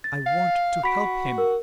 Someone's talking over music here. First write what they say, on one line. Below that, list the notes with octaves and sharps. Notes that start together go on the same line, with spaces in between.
I want to help him.
A6
F5
F#4 B5 B6 D7
A#4